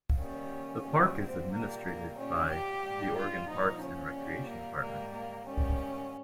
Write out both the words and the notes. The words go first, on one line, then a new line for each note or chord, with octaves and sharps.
The park is administered by the Oregon Parks and Recreation Department.
D#2 D#3 G3 C#4
A#2 G3
C4
A#2 G3 A#3
A#3
A#2 G3 C#4
G4
G#2 G3
F4
A#2 F3 D#4
C#4
A#2 G3
A#3
G#2 G3 A#3
A#3
G#2 D#3 G3 C#4